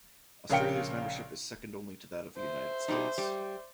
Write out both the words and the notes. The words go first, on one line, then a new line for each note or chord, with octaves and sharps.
Australia's membership is second only to that of the United States.
A#1 C#3 A#4 F5 G5 C#7
C5 E5
B2 G3 D#4
G3